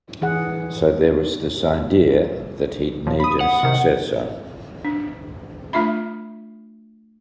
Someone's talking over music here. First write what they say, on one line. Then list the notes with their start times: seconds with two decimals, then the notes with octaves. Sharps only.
So there was this idea that he'd need a successor.
0.22 E3 G#4 F#5
3.07 A#2 F3
3.20 B5 D#6
3.41 F#5
3.63 C3 D#3
4.85 D4
5.73 A3 D4 F4 E5 B5